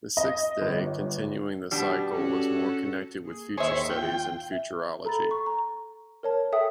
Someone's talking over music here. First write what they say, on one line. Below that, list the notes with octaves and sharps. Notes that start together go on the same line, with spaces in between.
The sixth day, continuing the cycle, was more connected with future studies and futurology.
D#5
G1
B2 G3 D4
C#4 F#4 A4
A#3 G#4
D#2 D#3 G#4 C5 C#5 E5
F4 G5
E5
A4 A#5 B5 A6
C#6
A#5
A#4 C#5 A5
A4 E5 G5 D#6